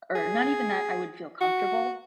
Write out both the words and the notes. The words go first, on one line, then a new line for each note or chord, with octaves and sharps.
or not even that I would feel comfortable,
G#4
F#4